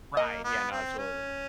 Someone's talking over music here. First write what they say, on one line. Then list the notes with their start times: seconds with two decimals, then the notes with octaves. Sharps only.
Right, yeah, no, absolutely.
0.17 A#3 D#5
0.44 B3
0.72 C4
0.98 C#4